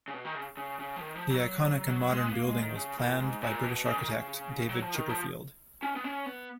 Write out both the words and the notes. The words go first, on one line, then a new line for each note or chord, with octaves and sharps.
The iconic and modern building was planned by British architect David Chipperfield.
C#3
B2
D#3
C#3
C#3
C#3
F3
D#3
F3
F#3
F#3
F#3
G#3
B3
A#3
G#3
D#3
C#3
A#2
G#2
A#2
B2
C#3
D#3
C#3
F#3
F3
D#3
F3
C#4
B3
C#4
B3